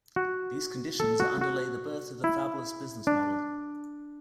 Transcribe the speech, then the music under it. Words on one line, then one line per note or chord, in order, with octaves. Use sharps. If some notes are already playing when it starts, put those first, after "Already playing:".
These conditions underlay the birth of the fabless business model.
F#4
A4
F#4
F#4
E4
D4